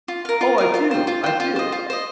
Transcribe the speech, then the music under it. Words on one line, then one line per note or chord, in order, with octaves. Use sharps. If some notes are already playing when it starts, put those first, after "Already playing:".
Oh, I do, I do, uh
F4
A#4 F5
F4
A#4 F5
F4
C5 G5
F4
C5 G5
F4
C5 D#5
F4
C5 D#5